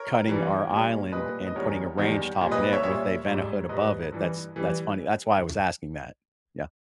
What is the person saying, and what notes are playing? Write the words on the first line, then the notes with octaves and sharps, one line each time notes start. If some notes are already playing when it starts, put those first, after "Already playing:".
cutting our island and putting a range top in it with a Vent-A-Hood above it. That's that's funny. That's why I was asking that. Yeah.
Already playing: A#4 C#5
G2 E3 G3
A#2 G3
A#2 G3 B4 D#5
D#5
E2 D#3 G3 A#4 C#5
E2 D#3 G3
A#2 G3
B4 D#5
C#5 E5
A#2 G3 C#5 E5
G#2 G3
G#2 G3 B4 D#5
G2 E3 G3
E3 G3